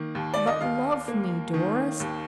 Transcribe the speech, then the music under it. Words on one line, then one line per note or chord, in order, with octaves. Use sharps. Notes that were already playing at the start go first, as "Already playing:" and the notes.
But love me, Doris.
Already playing: D#3 A#3
D#2
D5
D#5
D#2 F5
A#3
D#3
D#2